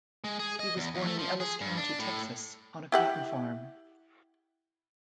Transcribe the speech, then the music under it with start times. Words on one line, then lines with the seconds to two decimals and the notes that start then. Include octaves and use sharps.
He was born in Ellis County, Texas on a cotton farm.
0.24 G#3
0.39 G#4
0.60 D#5
0.77 E2
0.95 E2
1.06 A3
1.19 F3
1.40 G#4
1.61 G2
1.77 D4
1.99 A2
2.92 E4 G4 F#5